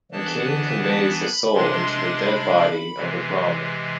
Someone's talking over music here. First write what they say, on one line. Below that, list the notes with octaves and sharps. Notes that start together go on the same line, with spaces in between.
A king conveys his soul into the dead body of a Brahman.
E3 B3 D4 A5
A5
B5
C3 G#3 D4 C6
B5
C3 E3 G#3